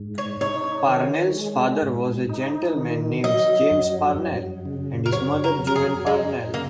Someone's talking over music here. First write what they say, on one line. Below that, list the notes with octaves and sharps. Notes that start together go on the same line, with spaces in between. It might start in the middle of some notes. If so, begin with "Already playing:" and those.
Parnell's father was a gentleman named James Parnell, and his mother Joan Parnell.
Already playing: G#2
C#5
D#4 C#5
D#3
G#3
G#2
D#4
D#3
F#3 D#5
F#2
F#2
C#3
A#4
F#3 C#5
A#4
F#2
A#4
G#4
F#2 G#3
C#3 A#3